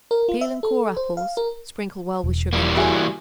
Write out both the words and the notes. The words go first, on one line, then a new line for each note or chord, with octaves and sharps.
Peel and core apples; sprinkle well with sugar.
A#4
F4
E5
A4
C5
F5
A#4
E1
E3 G3 A#3
E4 F#4 G#4